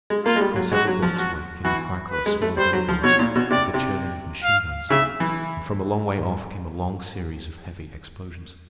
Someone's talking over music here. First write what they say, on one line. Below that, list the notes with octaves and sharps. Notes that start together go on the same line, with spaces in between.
From several blocks away came the crackle of small hand-bombs and the churning of machine-guns, and from a long way off came a long series of heavy explosions.
G#3
A#3 F4
G#3
G3
F#3
G#3 F#4
F#3
F3
F#4
E3 F#4
B4
G#3
A3
G3 C5
F#3
F3
B2 C#5
A#2
B2
C3 D5
C3
F5
C#3 E5
E3